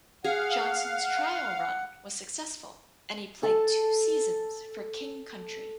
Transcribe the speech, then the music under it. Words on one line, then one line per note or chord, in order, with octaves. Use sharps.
Johnson's trial run was successful and he played two seasons for King Country.
G#4 F5 F#5
A4 A5